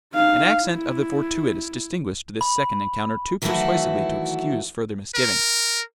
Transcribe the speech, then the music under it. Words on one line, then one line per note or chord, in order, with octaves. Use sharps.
An accent of the fortuitous distinguished this second encounter too persuasively to excuse further misgivings.
D#4 F5
E4
B5
D#3 E3 F#3 A3 E4 F#4
A#4